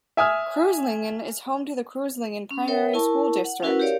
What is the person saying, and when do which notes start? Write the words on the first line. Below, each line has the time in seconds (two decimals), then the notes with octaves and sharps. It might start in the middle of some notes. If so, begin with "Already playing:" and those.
Kreuzlingen is home to the Kreuzlingen primary school district.
0.17 E5 G#5 D#6 F6
2.51 C#4
2.68 A#4 C#5 E5 G5
2.93 E4 A#4 A5 C#6
3.44 F#5
3.63 C#4 E4 F#4 A#4 B4 F#5
3.80 G4 A#4 C#5 D5 F5